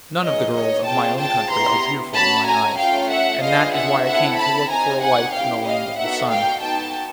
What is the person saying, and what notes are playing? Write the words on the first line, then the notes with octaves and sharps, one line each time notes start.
'None of the girls of my own country are beautiful in my eyes, and that is why I came to look for a wife in the land of the sun.
B3 D#4 G#4 C#5 D#5
C#5 D#5
C4 F4 G#4 G5 A5
G5 A5
B3 E4 G4 A#5 C6
C#4 F#4 A4 A5 B5
G#5 A#5
A3 C#4 F4 F5 G5
E5 F#5
B3 D4 F4 G#4 D#5 F5
E5 F#5
C4 E4 A4 E5 F#5
A5 B5
C4 D#4 G4 G#5 A#5
F#5 G#5
C#4 E4 G4 F5 G5
D#5 F5
B3 D#4 F#4 A4 E5 F#5
F5 G5
B3 D#4 F#4 A4 G5 A5